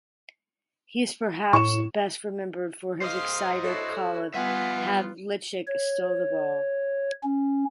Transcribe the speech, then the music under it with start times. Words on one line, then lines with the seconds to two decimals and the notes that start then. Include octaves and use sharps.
He is perhaps best remembered for his excited call of Havlicek stole the ball!
1.53 A2 C#6 E7
3.02 C5 D#5 F5 C6
3.63 E4 F#4 A4 C#5
4.35 G3 B3 F4 E5 F#5 G#5
5.67 C#5
7.23 C#4